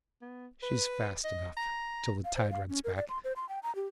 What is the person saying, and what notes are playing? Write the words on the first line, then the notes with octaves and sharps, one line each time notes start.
'She's fast enough till the tide runs back.
B3
B4
D#5
A#5
F5
C5
F5
C#4
A#4
D5
C6
C5
C6
G5
A#5
G4